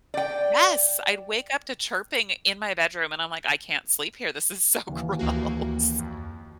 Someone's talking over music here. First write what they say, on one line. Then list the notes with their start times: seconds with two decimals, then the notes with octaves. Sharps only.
Yes! I'd wake up to chirping in my bedroom, and I'm like, "I can't sleep here. This is so gross."
0.14 D5 G5
4.89 D#2 E3
5.19 D2 A#3 F#4
5.99 F2